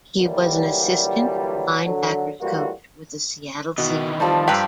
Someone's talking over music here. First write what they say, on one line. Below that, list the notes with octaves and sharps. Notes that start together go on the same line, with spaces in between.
He was an assistant linebackers coach with the Seattle Seahawks.
A#2 D3 E3 F#3 G3
D3 F#3
A2 E3 G3 A#3 F4 F#4
B2 D#3 E3 D#5
F3 G3 C4 A5 B5
G2 G4 B4 A#5 E6